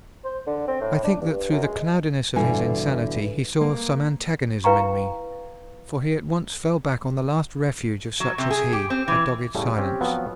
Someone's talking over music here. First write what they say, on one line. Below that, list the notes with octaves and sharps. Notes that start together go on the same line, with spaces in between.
I think that through the cloudiness of his insanity he saw some antagonism in me, for he at once fell back on the last refuge of such as he--a dogged silence.
C5
D3
C4
A2
D4
G2
F#2
G#3
E2 G2 B2 D3 G#5
A#3
E4 B4 F5 G5 A#5 C#6
F#3
C3
G#4
G4
C4
E3
A2 C#3 G3 A3
C4 C#4 G4
F3 F#3 B3 C4